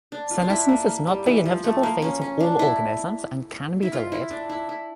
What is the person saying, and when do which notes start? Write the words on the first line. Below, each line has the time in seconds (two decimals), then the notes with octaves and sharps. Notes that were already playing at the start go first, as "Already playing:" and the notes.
Senescence is not the inevitable fate of all organisms and can be delayed.
0.12 D4
0.31 F4
0.42 D4
0.50 E4
0.69 A#3
0.88 A#3
1.07 G3
1.26 E3
1.45 F3
1.64 A3
1.83 A#3
2.02 C#4
2.21 C#4
2.41 D4
2.59 E4
3.83 E4
3.93 F4
4.12 E4
4.31 D4
4.49 E4
4.69 E4